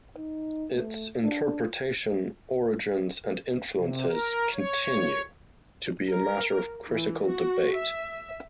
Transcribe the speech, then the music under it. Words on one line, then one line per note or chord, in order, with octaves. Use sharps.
Its interpretation, origins and influences continue to be a matter of critical debate.
D#4
A3
D4
C3
A#4
C#5
A#4
E3
F#4
E5